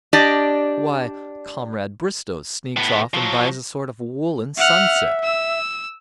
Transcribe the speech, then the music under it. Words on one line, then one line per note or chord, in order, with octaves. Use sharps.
Why, Comrade Bristow sneaks off and buys a sort of woollen sunset.
D4 G4 D5 D#5
A2 B3
F3 F#3
E5 F#5 F6
E6